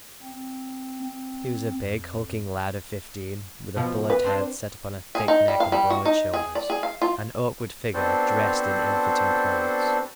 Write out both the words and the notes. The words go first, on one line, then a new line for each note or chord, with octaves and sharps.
He was a big, hulking lad of fifteen, with a bullet head set upon a thick neck and broad shoulders--an awkward figure dressed in ill-fitting clothes.
C4
C4
F2
B2 F3
B4
C4 D4 C5
G#4
D#4
G3
F5
G3
F#4
D#4
G#4
D5
G#4
F5
F4
B3 C4 D4 F#4 A4 C5